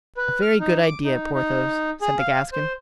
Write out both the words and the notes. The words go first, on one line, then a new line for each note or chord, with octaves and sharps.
"A very good idea, Porthos," said the Gascon.
B4
F6
D#4
D6
D#4
D#4
G#4
F5
C5